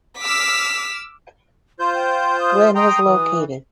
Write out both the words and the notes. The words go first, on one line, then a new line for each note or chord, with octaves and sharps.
Glynn was located.
D6 E6 F6 B6
F4 C5 C6 G6
G5
D#6
G5 A#5 C6 D#6
E3